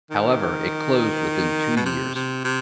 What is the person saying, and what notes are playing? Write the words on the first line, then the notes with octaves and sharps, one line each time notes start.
However it closed within two years.
D#3
B2
C3
C3
C3